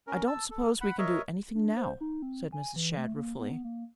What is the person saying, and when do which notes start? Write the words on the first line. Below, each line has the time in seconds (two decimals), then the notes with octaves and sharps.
"I don't suppose we can do anything now," said Mrs. Shadd, ruefully.
0.07 C#4 A#4
0.27 A5 E6
0.51 A4
0.81 F#5 B5
0.98 A#4 C#5 D#5 E5
1.55 D4
1.77 C5
2.01 D#4
2.22 C4
2.52 G#5
2.76 E3
2.98 A3
3.16 A#3
3.40 B3
3.64 A#3